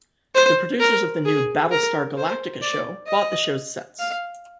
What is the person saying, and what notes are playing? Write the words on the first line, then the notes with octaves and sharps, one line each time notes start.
The producers of the new "Battlestar Galactica" show bought the show's sets.
C5
A#4
G#4
A#4
C5
D5
D#5
F5